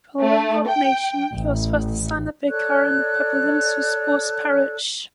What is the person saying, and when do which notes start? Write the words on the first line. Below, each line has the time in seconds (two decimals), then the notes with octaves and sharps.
Following ordination, he was first assigned as a vicar in the Pavillons-sous-Bois parish.
0.22 A3
0.68 G5
1.35 A1
2.48 A4 C#5 D5 F#6